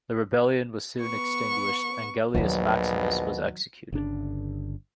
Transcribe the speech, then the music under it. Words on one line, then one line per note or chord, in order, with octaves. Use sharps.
The rebellion was soon extinguished, and Gellius Maximus was executed.
B3 C#6
A#1 D#2 B2 D#3 F#3
G1 C#3 D4